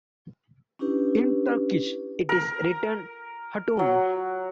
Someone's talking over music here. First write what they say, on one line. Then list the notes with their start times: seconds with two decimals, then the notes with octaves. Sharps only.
In Turkish it is written hatun.
0.79 C#4 D4 E4 G4 B4
2.29 A#4
3.79 F#3